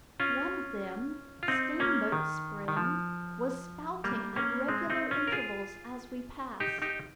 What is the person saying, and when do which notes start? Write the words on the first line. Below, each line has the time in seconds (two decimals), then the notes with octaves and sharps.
One of them, Steamboat Spring, was spouting at regular intervals as we passed.
0.20 C#4 F4
1.43 F4
1.48 C4 D#4
1.80 A#3 C#4
2.12 D#3
2.68 D#3
2.77 F3
4.04 G3 A#3
4.36 A#3 C#4
4.68 G#3 C4
4.90 C4 D#4
5.11 C#4 F4
5.27 A#4
5.32 F4 G#4
6.60 D#4 G4
6.82 D#4 G4